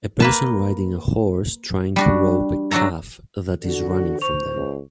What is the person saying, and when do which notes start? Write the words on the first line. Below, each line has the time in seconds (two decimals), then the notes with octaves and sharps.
A person riding a horse trying to rope a calf that is running from them.
0.20 A#3 B4 A5
1.96 G3 D4 F#4
2.71 F#3 D4 F#4 A4 A#5
3.63 D3 F#4
4.21 C5 C#6 F7
4.56 C#2